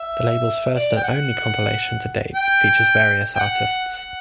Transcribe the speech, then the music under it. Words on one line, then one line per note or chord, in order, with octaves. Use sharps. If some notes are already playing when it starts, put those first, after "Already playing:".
The label's first and only compilation to date featured various artists.
Already playing: E5
D5
G5
F#5
G5
G5
F#5
F#5